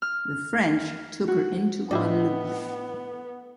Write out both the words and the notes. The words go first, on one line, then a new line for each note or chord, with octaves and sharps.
The French took her into Guadeloupe.
F6
F#4
A2 B3 D4 E4 G4 D5 D#5